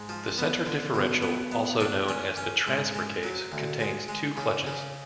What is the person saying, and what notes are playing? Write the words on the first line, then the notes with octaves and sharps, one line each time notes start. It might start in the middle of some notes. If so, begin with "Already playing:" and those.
The centre differential, also known as the transfer case, contains two clutches.
Already playing: G#2
F3
B3
D3
B2
B3
B3
D4
C#4
C#4
G#2
G#3
F#3
D2
G#3
G#3
C#3
C#3